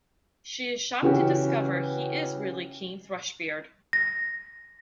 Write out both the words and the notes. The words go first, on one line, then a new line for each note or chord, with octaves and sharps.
She is shocked to discover he is really King Thrushbeard.
C#3 E3 C#4 F#4 G4
A#6